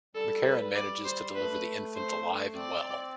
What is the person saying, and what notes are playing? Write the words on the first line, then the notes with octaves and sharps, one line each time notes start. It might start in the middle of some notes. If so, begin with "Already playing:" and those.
McCarron manages to deliver the infant alive and well.
G3 A4
B4
D5
C5
A3 B4
C5
C4 D5